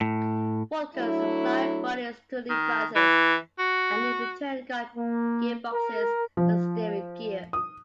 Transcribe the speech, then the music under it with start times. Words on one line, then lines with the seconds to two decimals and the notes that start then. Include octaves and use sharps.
Vulcan supplied bodies to Lea-Francis and in return got gearboxes and steering gear.
0.01 A2
0.96 F#3 A3 D4 E4
2.50 D#3
2.96 E3
3.59 F#4
4.96 A#3
5.73 A#4
6.37 F3
7.53 D#6